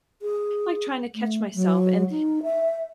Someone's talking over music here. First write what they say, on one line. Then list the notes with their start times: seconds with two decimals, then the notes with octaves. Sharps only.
like, trying to catch myself and
0.22 G#4
1.15 A3
1.55 F#3
2.10 D#4
2.43 E5